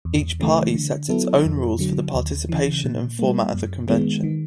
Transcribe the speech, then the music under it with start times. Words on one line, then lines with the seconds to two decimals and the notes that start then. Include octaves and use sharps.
Each party sets its own rules for the participation and format of the convention.
0.05 E2
0.40 C#3 E3 A3
0.75 D3
1.09 F#3 B3 E4 A4
1.45 F2
1.79 D3 F#3
2.14 D#2
2.49 C#3 E3
2.84 A#2
3.19 G3 A#3
3.54 F#2
3.88 D#3 G#3 B3
4.23 D#3